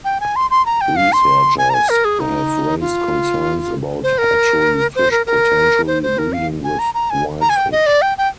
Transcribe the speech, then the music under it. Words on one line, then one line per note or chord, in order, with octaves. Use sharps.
Researchers have raised concerns about hatchery fish potentially breeding with wild fish.
G5
G#5
C6
C6
A#5
G5
F5
C6
G#5
A#5
G#5
A#4
G#4
D#4
F4
C5
A#4
C5
A#4
A#4
C5
C5
A#4
F5
G#5
A#5
A#5
G#5
A#5
G#5
G5
D#5
D5
G5
G5